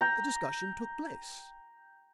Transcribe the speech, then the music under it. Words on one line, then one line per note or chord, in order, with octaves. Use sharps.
The discussion took place.
G5 A#5